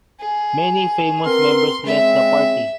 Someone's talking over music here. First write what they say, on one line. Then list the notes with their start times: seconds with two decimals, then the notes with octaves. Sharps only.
Many famous members left the party.
0.20 G#4
1.26 B3 C4 A#4 C6
1.86 C#3 G#3 C4 E5